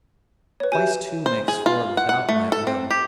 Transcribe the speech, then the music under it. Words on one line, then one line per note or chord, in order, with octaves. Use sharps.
Twice two makes four without my will.
B4 C#5
F#4 G4 E5 G#5
C5
G#4
F4
F#5
F#5
A3
A4
C4
G4